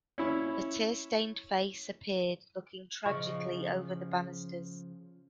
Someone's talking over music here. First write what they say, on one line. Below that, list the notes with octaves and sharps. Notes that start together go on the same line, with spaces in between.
A tear-stained face appeared, looking tragically over the banisters.
C#4 E4
C#3 F3 D#5 C#6